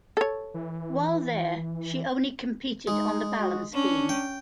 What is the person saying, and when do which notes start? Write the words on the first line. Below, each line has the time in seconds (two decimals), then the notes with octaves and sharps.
While there she only competed on the balance beam.
0.17 A4 C#5
0.54 E3
2.87 G#3 D#4
3.38 F#4
3.72 C#4 D4
4.09 G5